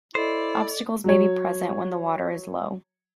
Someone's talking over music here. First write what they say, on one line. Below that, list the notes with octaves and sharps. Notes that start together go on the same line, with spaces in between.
Obstacles may be present when the water is low.
E4 A4 C5 D5 D#5
F#3 C#5